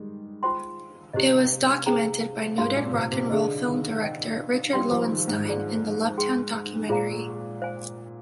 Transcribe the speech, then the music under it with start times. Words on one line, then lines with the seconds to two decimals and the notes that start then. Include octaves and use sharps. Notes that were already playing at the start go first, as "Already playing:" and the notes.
It was documented by noted rock'n'roll film director Richard Lowenstein in the "LoveTown" documentary.
Already playing: D#3 G3 G#3
0.43 F4 C5 G5 C6
1.13 C3 D4 G4 C5 D#5
1.86 G#4 C5 G5 A#5
2.58 G#2 F4 G#4 C5 F5 C6
2.76 A#2
2.93 C3
3.12 C3
3.30 D3 D#4 G#4 C5 D#5
3.66 D#3
4.02 C5 D#5 G5
4.73 G3 D4 G4 D5 G5 C6
4.91 F3
5.09 D#3
5.28 G#2
5.45 F4 G#4 D5
6.18 G#4 C5 G5 C6
6.89 A#2 F4 G#4 C5 F5 A#5
7.62 C5 F5 G#5